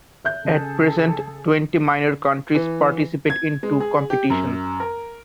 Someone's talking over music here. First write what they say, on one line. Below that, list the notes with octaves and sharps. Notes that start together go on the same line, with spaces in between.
At present twenty Minor Counties participate in two competitions.
E5 F#6 G6
C#3 G#4 A4
E3
G#6
G#3
G#4
G4
F#2
A#4